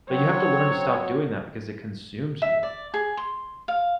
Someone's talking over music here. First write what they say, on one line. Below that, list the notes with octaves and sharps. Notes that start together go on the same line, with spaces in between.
But you have to learn to stop doing that because it consumes you.
F#3 C4 C#5
E5
D5
G#4
C6
F5